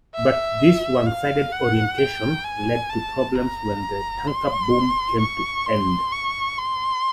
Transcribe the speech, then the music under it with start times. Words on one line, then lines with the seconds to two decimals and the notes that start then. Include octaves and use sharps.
But this one-sided orientation led to problems when the tanker-boom came to end.
0.14 E5
1.06 F5
1.52 F#5
1.98 G5
2.44 G#5
2.90 A5
3.35 A#5
4.27 C6
5.20 C#6
5.66 C6
6.12 C#6
6.58 C6